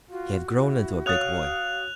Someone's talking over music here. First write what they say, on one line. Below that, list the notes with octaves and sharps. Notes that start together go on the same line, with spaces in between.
He had grown into a big boy.
F4 F#4
E4
C#5 F5 D#6 F#6 A6 F7